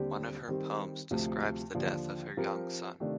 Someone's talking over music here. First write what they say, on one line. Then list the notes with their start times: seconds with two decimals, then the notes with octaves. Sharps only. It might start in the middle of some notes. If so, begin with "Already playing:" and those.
One of her poems describes the death of her young son.
Already playing: D#2 D3 G3 C4 G4
0.48 D#3 G3 C4 G4
1.11 D2 C3 F3
1.75 D#2 D3 F3
2.37 F3 C4 G4 A#4
3.00 C3 D#3 A3 D4 F4